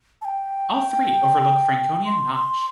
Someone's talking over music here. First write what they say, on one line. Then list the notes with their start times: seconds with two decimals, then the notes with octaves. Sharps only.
All three overlook Franconia Notch.
0.22 A5
0.25 G5
2.05 C6
2.34 C6